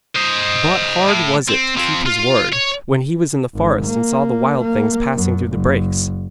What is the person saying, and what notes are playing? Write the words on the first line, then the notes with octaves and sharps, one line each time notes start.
But hard was it to keep his word, when he was in the forest and saw the wild things passing through the brakes.
C5 D#5
A2
C4
F3 C4
F4
C#5
G#1
A#3
A#3
F#2
F#1